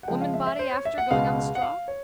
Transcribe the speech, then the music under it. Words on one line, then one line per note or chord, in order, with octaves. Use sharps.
Womanbody after going on the straw?
F#5
C#3 F3 G#3 G5
F5
E5
E5
C5
C#5
E5
F#5
C#2 B2 G#3 F5
F#5
F5
C#5